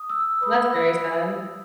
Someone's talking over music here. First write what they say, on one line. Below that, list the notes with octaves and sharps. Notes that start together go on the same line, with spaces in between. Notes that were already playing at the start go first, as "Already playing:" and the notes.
That's very sad.
Already playing: D#6
E6
B4 D#6